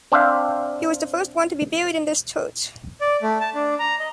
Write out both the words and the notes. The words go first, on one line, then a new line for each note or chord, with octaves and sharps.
He was the first one to be buried in this church.
C4 D4 C5 E5 F5
D5
A3
A5
D4
A#5
D#5